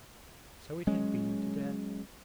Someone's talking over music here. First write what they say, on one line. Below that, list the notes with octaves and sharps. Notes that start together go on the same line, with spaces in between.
So it had been today.
F#3 G#3 C#4